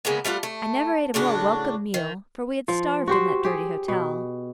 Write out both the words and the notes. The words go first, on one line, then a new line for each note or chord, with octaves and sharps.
I never ate a more welcome meal, for we had starved in that dirty hotel.
C#3 G#3 A#3 B3
G3 A3 F4 F#5
A3
A2 C#3 D4 F#4
D#3
F3
F#4 G4 C5
G4 G#4
B2